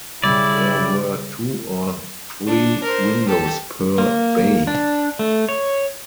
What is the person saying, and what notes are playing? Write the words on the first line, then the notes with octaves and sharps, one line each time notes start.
There were two or three windows per bay.
C#3 G3 E4 D5
D4
A#4 C5
G4 A4
A#3
D4
A3
C#5